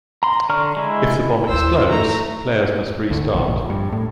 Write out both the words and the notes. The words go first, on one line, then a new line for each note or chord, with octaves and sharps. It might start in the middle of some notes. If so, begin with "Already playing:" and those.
If the bomb explodes, players must restart.
A#5 C6
D3 D5 A#5 C#6 F6
G#3 E4
D#2 G#2 E4 C5 E6
A3 A#5
D2
A#1
A#1
G2
A2